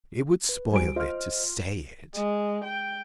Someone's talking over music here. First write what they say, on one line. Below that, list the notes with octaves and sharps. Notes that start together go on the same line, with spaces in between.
"It would spoil it to say it."
B4
G3 F#4 C5 G#5 D7
F4 C5 D#5 F6
G#3
G5